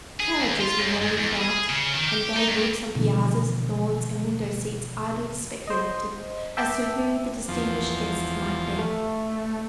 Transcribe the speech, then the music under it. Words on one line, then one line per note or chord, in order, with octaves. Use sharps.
Carriages were rolling about, and gay groups on piazzas, lawns, and window-seats idly speculated as to who the distinguished guests might be.
G#4
D#2
F4
F#2
G#2
E2
G#4
C#3
D#3
G4
D#4
G2
B2 D3 E3 F3
C5 D#5
E5 G5 A5 D6
E2 F3
A3